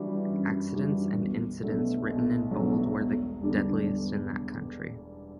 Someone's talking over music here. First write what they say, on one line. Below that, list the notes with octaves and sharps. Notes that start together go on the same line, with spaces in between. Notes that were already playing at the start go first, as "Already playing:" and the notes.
Accidents and incidents written in bold were the deadliest in that country.
Already playing: E3 G3 D4 F#4
F#2
E3 G3 D4 F#4
B1
B2 F#3 A3 D4
B1
B2 F#3 A3 D4
E1
E2 D3 G3 D4